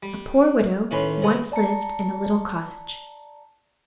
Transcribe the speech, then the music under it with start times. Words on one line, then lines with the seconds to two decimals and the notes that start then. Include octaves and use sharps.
A poor widow once lived in a little cottage.
0.03 G3
0.91 A2 D#3 C#4 B4 C6
1.22 C3 B3
1.52 D5 A5 A#5 C#7